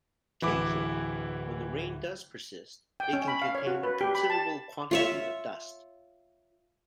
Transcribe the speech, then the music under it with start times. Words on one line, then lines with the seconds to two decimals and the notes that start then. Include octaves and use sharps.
Occasionally, when the rain does persist, it can contain a considerable quantity of dust.
0.42 D1 E3 E4 F#5 D6
3.00 G5
3.13 C#4
3.28 B5
3.42 F5
3.55 C#5
3.67 F#4
3.83 B4
4.01 G4
4.15 B5
4.30 A5
4.91 F4 C#5 E5